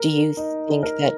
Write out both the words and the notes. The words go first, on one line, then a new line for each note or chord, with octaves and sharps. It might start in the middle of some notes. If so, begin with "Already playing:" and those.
do you think that
Already playing: A#4
D#4
A#4